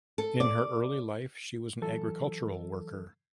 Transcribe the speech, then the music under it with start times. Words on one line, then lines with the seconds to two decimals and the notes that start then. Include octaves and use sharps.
In her early life she was an agricultural worker.
0.18 A4
0.40 D5
1.82 E3 F#3 A4